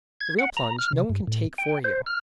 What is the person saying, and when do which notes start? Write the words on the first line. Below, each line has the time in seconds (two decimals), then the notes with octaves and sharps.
The real plunge no one can take for you.
0.21 G#6
0.39 F#5
0.57 A#5
0.78 F6
0.93 C3
1.10 G2
1.27 A2
1.58 G5
1.84 C5
2.06 F6